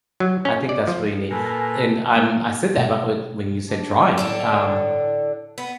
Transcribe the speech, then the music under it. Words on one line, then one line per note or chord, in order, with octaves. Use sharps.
I think that's really neat, and, um, I said that about when you said drawing, um,
F#3
C#4
D5
F3
A#2 A4 B4 G#5
A#3
B2
D4
A2 D3 D4 A4
B3